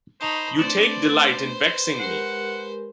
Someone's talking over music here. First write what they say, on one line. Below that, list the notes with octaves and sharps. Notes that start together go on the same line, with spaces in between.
You take delight in vexing me.
D#4 C5 A5 B5 C#6 D#6
A3 C4 D4 B4 C5 D5
G#3 G4 A#4 F#5